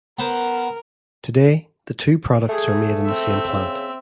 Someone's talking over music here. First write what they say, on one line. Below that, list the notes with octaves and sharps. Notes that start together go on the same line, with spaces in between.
Today, the two products are made in the same plant.
B3 A#4 C5
A3 G#4
C4 E5
C#3